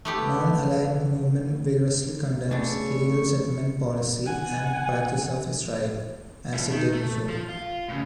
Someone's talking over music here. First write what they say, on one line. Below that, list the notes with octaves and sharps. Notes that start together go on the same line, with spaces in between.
Nonaligned Movement vigorously condemns illegal settlement policy and practice of Israel, as it did before.
A3 B3 G4
C#2 C#3 A3 D4 C#6
F#5 G#5
F3 E4
D#3
A3
F3
F4
A2 C#3